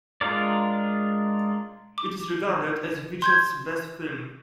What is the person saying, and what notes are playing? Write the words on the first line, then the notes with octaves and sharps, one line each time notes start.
It is regarded as Vichet's best film.
G#3 D4 F4 A#4 D5
D6
C6 G6 G#6